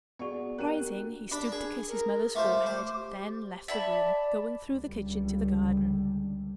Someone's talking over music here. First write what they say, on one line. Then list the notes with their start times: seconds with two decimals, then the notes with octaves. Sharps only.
Rising, he stooped to kiss his mother's forehead, then left the room, going through the kitchen to the garden.
0.19 B3 F#4 G#4 D5 C#6
0.58 D4 G4 A#4 F#6 D#7
1.31 D4 D5 B5
1.52 G#4
1.88 A#4
2.35 A3 F4 C5 D6
2.66 C5
2.96 G4
3.68 D5 E5 A5 B5
4.68 C#2 D3 G3